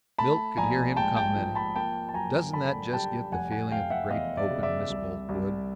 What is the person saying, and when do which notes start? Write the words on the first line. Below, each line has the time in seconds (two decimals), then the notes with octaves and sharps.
Milt could hear him commenting, "Doesn't that just get the feeling of the great open, Miss Boltwood?"
0.18 A3 A5 B5
0.57 A#1 G#5 A#5
0.96 G#2 G5 A5
1.17 G5 A5
1.36 F3
1.55 A5 B5
1.76 A#3 G5 A5
2.09 A5
2.14 F#2 G#5 A#5
2.53 D3 A5 B5
2.93 G3 G5 A5
3.32 F1 F#5 G#5
3.51 F#5 G#5
3.72 F1 F5 G5
3.90 E5 F#5
4.10 E2 D#5 F5
4.37 D5 E5
4.50 C#3
4.63 D5 E5
4.90 C2
5.29 C2